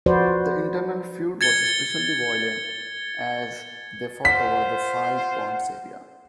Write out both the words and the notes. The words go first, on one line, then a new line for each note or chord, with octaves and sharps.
The internal feud was especially violent as they fought over the Five Points area.
F3 F#4 B4 C5 D5
G#6 A6 C#7 G7
F4 C5 F#5 B6